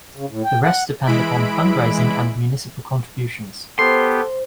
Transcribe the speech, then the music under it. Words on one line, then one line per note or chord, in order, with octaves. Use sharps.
The rest depend upon fundraising and municipal contributions.
C#3
A2
G5
F#5
E3 G#3 E4 B5 D7
B3 G4 A4 C5 C6